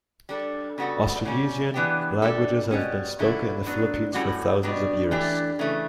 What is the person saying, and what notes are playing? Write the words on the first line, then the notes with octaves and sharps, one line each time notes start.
Austronesian languages have been spoken in the Philippines for thousands of years.
G3 D4 A4
C#3 G3 B3 F#4 A4
C#3 G3 C#4
E3 B3 D4 G4
G3 D4 A4
B2 G3 C#4
D3 F#3 C#4 E4 A4
F#3 B3 D4
A2 G3 C#4 F#4 A4
B2 G3 D4
E3 A3 D4 G4
C#3 E3 A3